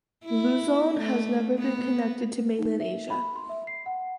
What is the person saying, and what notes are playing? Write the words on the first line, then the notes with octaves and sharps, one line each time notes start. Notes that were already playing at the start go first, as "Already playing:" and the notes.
Luzon has never been connected to mainland Asia.
E4
A3
B3
D#4
E5
B5
C6
E5
C7
F#5